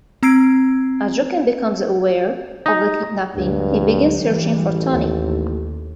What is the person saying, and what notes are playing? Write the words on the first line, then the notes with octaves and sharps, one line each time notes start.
As Joakim becomes aware of the kidnapping, he begins searching for Tony.
C4 A#5 E6 G#6 C7 D7
D#4
D2 G2 F#3 G#3
E3 G3 G#3
A1
D#2